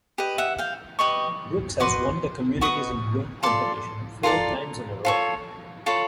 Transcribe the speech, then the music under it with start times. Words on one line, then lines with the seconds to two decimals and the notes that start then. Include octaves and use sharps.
Brooks has won the Communities in Bloom competition four times in a row.
0.18 G4 B4 D#5
0.38 E5 F#5
0.58 F5 G5
0.99 G4 B4 D#5 B5 C#6
1.80 F#4 B4 D#5 C6 D6
2.61 F#4 B4 D#5 C#6 D#6
3.43 F4 A4 D5 C6 D6
4.23 F4 A4 D5 A#5 C6
5.05 F4 A4 C#5
5.86 F4 A4 C#5 A5 B5